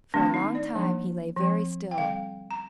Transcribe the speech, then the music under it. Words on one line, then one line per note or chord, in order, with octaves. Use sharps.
For a long time he lay very still.
D#3 A3 C4 D4
D#4
D5
F3 A#3 D4
F3 C4
G5
D3 G3 C4 F5
A#5